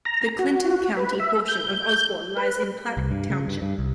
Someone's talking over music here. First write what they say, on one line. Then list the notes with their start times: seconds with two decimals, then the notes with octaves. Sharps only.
The Clinton County portion of Osborn lies in Platte Township.
0.05 A#5
0.39 F#4
0.97 B4
1.20 E5
1.48 G6
2.37 B4
2.97 C2
3.11 G2
3.30 C#3
3.48 G2
3.62 G2
3.79 C2